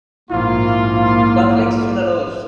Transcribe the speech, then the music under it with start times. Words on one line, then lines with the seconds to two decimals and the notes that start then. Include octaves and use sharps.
Conflicts soon arose.
0.30 A#1 G#2 A#3 E4 F4